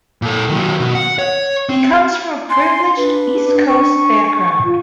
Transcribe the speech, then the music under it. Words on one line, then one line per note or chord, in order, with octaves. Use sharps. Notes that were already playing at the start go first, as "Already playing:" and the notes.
He comes from a privileged East Coast background.
A#2 A4
D#3 F#3
B2
F#5
C#5
C4
G#5 C6
D4 B4
C#6
F4